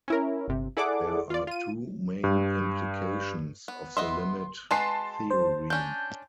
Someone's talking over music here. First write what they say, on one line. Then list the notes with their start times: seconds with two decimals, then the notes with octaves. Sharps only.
There are two main implications of the limit theorem.
0.08 C#4 E4 A#4
0.48 G1 C3
0.77 E4 G#4 A4 D5 F#5 D6
1.30 F4 D5
1.47 F4 D#7
2.24 G2
3.68 B3
3.97 B3 D#5 E5 C6
4.71 G#3 F#4 B4 A5 C6 C7
5.30 C5
5.70 C#4 D4 G6